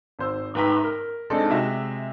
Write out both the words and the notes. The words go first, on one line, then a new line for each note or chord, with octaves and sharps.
um yeah,
G#1 C5 E6
G#2 B4 G5 A#5 B6
A#4
G#3 C4 D4 D#4 A4 D5
C3 G#3 F#4 E5